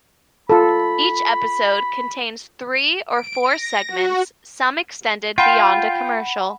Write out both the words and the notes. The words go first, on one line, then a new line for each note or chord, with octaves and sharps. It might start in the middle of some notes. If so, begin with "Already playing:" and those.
Each episode contains three or four segments, some extended beyond a commercial.
F4 A4 B5
D7
A#6
F#4
F4 F#5 G5 B5